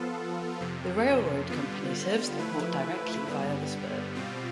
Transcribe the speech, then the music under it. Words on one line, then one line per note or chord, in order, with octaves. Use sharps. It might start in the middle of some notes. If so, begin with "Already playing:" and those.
The railroad company serves the port directly via the spur.
Already playing: F3 B3 F4 A4
F2 C3 F3
D3 G3 B3 F4
F3 A3 E4 B4
G2 D3 G3 B3
B2 G3 C4 F4